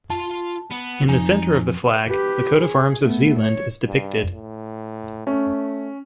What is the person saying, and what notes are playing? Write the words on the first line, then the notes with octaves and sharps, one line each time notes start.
In the centre of the flag, the coat of arms of Zeeland is depicted.
F4 A5 C6
B3
F2 D#4 G#5
G4 B4
G#4
A3 B3
C#5
G2
A2
A3 C#4